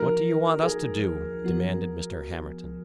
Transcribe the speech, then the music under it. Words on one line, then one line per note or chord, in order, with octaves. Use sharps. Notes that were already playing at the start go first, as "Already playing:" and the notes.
"What do you want us to do?" demanded Mr. Hamerton.
Already playing: F3 A#3 D#4 F#4 A#4
G#4
F3 B3 F#4